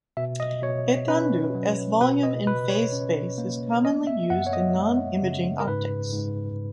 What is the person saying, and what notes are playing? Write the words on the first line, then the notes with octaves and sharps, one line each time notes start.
Etendue as volume in phase space is commonly used in nonimaging optics.
B2 E5
D#5
B2 C#5
C#4 B4
F#3
B2 B4
D#5
B2 B4
C#5
C#4
A#3
B3 D#5
E5
F#2 F#5
C#5
D#5
G#3
C#3
A#4
G#2 B4
G#2